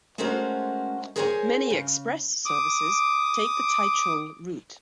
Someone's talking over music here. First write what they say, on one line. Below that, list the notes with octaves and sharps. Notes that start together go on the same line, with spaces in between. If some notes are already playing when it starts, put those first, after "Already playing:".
Many express services take the Taichung route.
G#3 A3 C#4 F#4 A#4 C5
G#4 A#4 C5 C#5 G5 G#5
C#3
D6 D#6